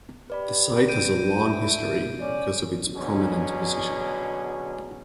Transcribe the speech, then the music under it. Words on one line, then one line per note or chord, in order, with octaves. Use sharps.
The site has a long history, because of its prominent position.
G4 B4 D5 B5
G6 D7 D#7
E4
C#4 D5
B2 D3 F#3 C#4 G#4